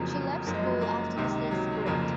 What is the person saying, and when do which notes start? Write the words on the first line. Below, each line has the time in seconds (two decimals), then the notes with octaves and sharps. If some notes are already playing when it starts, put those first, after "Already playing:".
She left school after the sixth grade.
Already playing: F1 F2 C#3 F3 F#3 A#3
0.12 F#3
0.47 F#1 F#2 F3 A#3
0.54 G#3
0.62 F#3
0.69 G#3
0.81 F#3 A#3
1.17 C#2 C3 D#3
1.51 F#3
1.72 F#3
1.86 F1 F2 C#3 F3 F#3 A#3